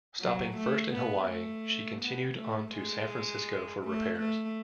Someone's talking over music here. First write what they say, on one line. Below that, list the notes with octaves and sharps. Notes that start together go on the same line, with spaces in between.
Stopping first in Hawaii, she continued on to San Francisco for repairs.
F#3
A3
B3
A3
B3
A3
G#3
A3
A3